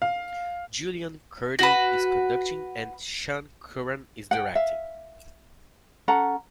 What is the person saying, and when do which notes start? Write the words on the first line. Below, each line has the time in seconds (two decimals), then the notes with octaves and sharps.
Julian Kuerti is conducting and Sean Curran is directing.
0.02 F5
1.59 F#4 B4
4.31 F#5 G5
4.55 E5 F5
6.08 C#4 A4 F#5 A#5